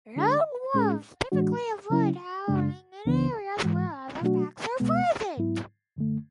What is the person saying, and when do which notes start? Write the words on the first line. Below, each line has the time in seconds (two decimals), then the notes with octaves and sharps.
Lone wolves typically avoid howling in areas where other packs are present.
0.16 D3 G#3 D4 G#4
0.74 A2 G#3 C#4 G#4
1.32 A2 E3 G#3 D4 F#4
1.90 C#3 F#3 C#4 E4
2.48 F#2 C#3 G#3 D4
3.05 C#2 C#3 E3 B3 D4
3.64 G#2 E3 G#3
4.21 B2 F#3 A3 D4 F#4
4.80 C#2 B2 G#3 B3
5.38 G#2 F#3 B3 E4
5.96 F#2 D3 A3